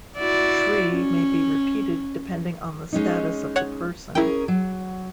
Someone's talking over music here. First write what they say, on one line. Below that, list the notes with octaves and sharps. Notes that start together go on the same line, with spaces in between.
"Shri" may be repeated depending on the status of the person.
E4 F#4 D5
C#4
G#3 C#4 D#4
C#5 F#5
C#4 E4 G#4 A#4 G5
F#3